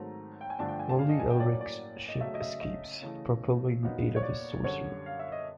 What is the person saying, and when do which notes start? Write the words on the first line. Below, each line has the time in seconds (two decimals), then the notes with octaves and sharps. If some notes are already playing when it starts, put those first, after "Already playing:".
Only Elric's ship escapes, propelled by the aid of his sorcery.
Already playing: G#2 D#3 F#3 A3 C4 A#5
0.41 G5
0.50 G#5
0.59 G2 D3 F3 A3 D4 A5
0.68 G5
0.80 G#5
0.89 A5
0.99 F5
1.09 D#5
1.20 G#5
1.30 G5
1.40 A2 F#3 A#3 C#4 D5
1.61 D5
2.09 D#5
2.21 C#3 F#3 A3 C#4 E5
2.34 D#5
2.42 E5
2.61 D#5
3.02 C#3 E3 A3
3.83 A#2 F#3 B3 D#4
4.16 C#5
4.23 D5
4.64 F#2 D3 G3 C#5
5.06 F5
5.20 E5
5.32 D#5